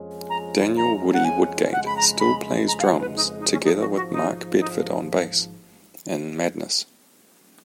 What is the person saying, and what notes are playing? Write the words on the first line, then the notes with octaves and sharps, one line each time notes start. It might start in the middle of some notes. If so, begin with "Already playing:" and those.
Daniel "Woody" Woodgate still plays drums, together with Mark Bedford on bass, in Madness.
Already playing: F2 F3 G#3 C#4 G#4
A#5
A#5
F#5
G#5
F2 C#3 G#3 F#5
B5
A#5
B5
A#5
F5
F#5
B4
D#4
D#4
C#4
G#1 G#2 F3 D#4
F#4
F#4
D#4
D#4